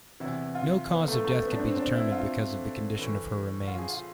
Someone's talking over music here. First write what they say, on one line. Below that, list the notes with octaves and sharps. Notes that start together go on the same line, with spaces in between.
No cause of death could be determined because of the condition of her remains.
E2 C3 E3 E4
F4
B3
A3
A3
B3
D4
C4
C4
D4
E4
F4
A2 E3
F4
G#4
F4